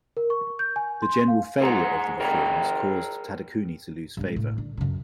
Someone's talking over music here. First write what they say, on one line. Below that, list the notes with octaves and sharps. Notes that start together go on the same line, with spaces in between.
The general failure of the Reforms caused Tadakuni to lose favor.
A#4
C#6
G6
G#5
C6
F5
G#4 C5 F#5 G5 A#5
G#4 A#4 D5 G5 A#5
G2 G#3
A2
D3
F#2 C#3